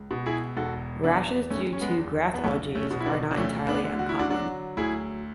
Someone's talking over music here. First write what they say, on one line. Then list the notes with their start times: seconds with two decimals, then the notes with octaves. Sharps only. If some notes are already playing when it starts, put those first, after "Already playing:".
Rashes due to grass allergies are not entirely uncommon.
Already playing: C#2
0.11 B2
0.26 E4 G#4
0.57 E1 F#4 A4
1.03 E2 B3 D4
1.50 F#1 A3 C#4
1.73 C#4
1.81 G#3 B3
1.98 E2
2.34 B3
2.44 B1 A3 C#4
2.75 A3 C#4
2.91 B2
3.00 E4
3.06 B3 D4
3.31 D4
3.37 D2 A3 C#4
3.68 B3 D4
3.84 D3
3.99 F#4
4.09 E4
4.19 D4 F#4
4.30 F#3 D4 F#4
4.77 D2 E4 G#4